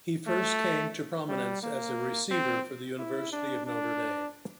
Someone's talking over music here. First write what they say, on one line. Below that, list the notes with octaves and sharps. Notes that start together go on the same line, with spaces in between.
He first came to prominence as a receiver for the University of Notre Dame.
A3
G3
A#3
C4
E4
D4
D4